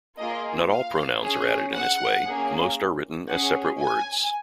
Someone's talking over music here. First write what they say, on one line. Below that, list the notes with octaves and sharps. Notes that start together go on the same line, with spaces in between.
Not all pronouns are added in this way; most are written as separate words.
A#3 F4 G#4 D#5
F5
C#4 G#4
F#5
A#3 C#4 G#4
C#4 G#4 F#5
G#5